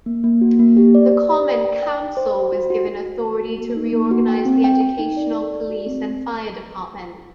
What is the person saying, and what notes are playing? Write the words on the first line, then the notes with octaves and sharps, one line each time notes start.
The common council was given authority to reorganize the educational, police, and fire departments.
A#3
A#3
F#4
A#3
G4
D5
D5
G4
D5
G5
G5
G5
C5
C5
F#4
F#4
F#4
F#4
F#4
F#4
A#3
D#4
A#3
F#4
G5
C4
G5
G5
D#4
D5
A4
D5
F#4
C4